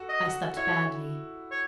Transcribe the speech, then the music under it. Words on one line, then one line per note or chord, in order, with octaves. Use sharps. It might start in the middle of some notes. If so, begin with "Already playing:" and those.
I slept badly.
Already playing: F#4 A4
D#5
F#4
E4 C#5
C#5